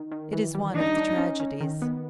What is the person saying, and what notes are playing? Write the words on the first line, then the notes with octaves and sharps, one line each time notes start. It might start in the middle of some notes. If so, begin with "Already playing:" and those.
It is one of the tragedies.
Already playing: D#3
D#3
E3
G3
D4 D#4
D4
C#4
C#4
D#3
B3